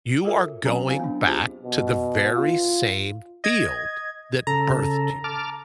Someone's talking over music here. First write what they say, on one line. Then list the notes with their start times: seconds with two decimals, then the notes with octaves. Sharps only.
you are going back to the very same field that birthed you.
0.25 F4 F#4 A4 A#4 C#5 E5
0.65 F#3 C4 C#4 C#5 G#5 A#5
0.88 C4 E4 F#4 C5 F5 G#5
1.00 B3 D4
1.27 F4 G4 G#4 C5 D#5
1.63 B2
2.34 F4
3.44 D#5 G#6
4.47 C#3 A4 A#5
5.24 A5 D6 F6